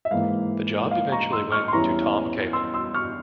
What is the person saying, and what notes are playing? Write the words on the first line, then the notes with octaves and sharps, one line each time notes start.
The job eventually went to Tom Cable.
E5
G#2 E3 A#3 F5
F5
A#5 C#6
C6 E6
C#6 F6
C6
E2 E3 G3 C#4 E4 A#5 C#6
C6 E6
C6 E6
C#6 F6